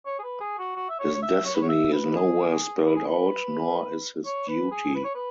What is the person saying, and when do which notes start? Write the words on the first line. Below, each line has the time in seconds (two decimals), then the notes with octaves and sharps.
His destiny is nowhere spelled out, nor is his duty.
0.06 C#5
0.19 G#4
0.23 B4
0.41 G#4
0.59 F#4
0.76 F#4
0.89 E5
0.99 C#5
1.14 C#5
1.22 E5
1.45 C#5
1.55 B4
1.61 C#5
1.69 E5
1.92 B4
2.11 B4
2.16 G#4
2.85 B4
2.96 G#4
3.06 B4
4.25 C#5
4.48 B4
4.72 G#4
4.95 B4
5.04 C#5
5.15 B4